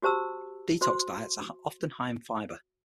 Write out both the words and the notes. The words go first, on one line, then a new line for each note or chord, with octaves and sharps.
Detox diets are often high in fiber.
F#4 G4 C5 A5 E6
F#4 C5 C6